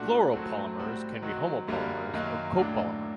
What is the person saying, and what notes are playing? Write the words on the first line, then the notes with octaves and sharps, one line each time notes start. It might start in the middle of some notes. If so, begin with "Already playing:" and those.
Fluoropolymers can be homopolymers or Copolymer.
Already playing: A#2 A3 D4 F#4
A2 F#3 A3 C4 F#4
A2 G3 C4 F#4
D#3 F#3 C4 F#4
F#2 D3 G3 A#3
F#2 D#3 F#3 A#3
A2 F#3 A#3 D4